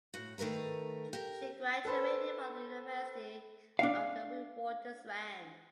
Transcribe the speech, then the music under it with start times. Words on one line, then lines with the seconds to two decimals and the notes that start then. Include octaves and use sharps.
She graduated from the University of the Witwatersrand.
0.14 A2 F#4
0.38 D#3 A3 A#4 B4 A#5
1.13 G4 A#4
1.85 A4 B4 C5
3.79 D4 F5